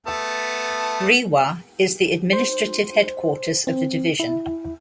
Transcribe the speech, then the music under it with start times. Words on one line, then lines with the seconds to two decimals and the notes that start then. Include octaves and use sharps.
Rewa is the administrative headquarters of the division.
0.07 A3 B3 A5
2.33 C5
3.67 C4
4.20 E4